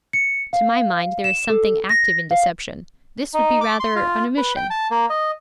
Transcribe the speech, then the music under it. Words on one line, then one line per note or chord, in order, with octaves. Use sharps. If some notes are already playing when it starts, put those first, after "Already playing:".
'To my mind there is something active in deception; this would be rather an omission.'
C#7
F5
E7
A4
A#6
F5
D#4
D6
C6
F4
B4
G5
A5
A#3
D#5